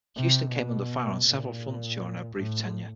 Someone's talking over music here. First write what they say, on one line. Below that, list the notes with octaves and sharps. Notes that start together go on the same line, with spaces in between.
Houston came under fire on several fronts during her brief tenure.
C3
B2
A#2
A2